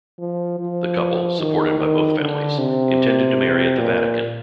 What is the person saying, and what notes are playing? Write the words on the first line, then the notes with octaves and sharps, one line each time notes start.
The couple, supported by both families, intended to marry at the Vatican.
F3
F3
D#3
D#3
D3
C3
A#2